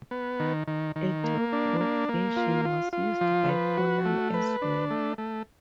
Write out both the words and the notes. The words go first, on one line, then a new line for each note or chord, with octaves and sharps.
A top rope version was used by Konnan as well.
B3
D#3
D#3
D#3
A#3
D4
A#3
A#3
F4
F4
F4
F3
B4
F#4
A3
B4
D4
A3
A3